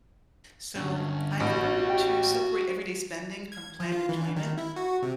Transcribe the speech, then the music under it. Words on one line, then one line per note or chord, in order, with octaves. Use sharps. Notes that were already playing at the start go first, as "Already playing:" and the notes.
So, I've learned to separate everyday spending from planned enjoyment.
G2 D3 C#4
A1 F#4 B5
G4
G#6
F3
F4
E3
D#3
E4
F#4
C3